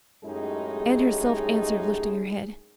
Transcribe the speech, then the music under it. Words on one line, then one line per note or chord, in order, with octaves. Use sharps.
Anne herself answered, lifting her head.
F#2 A2 G#3 D#4 G4 G#4